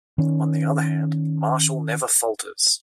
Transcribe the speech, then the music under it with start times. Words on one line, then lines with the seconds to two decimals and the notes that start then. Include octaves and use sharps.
On the other hand, Marshall never falters.
0.18 D#3 C#4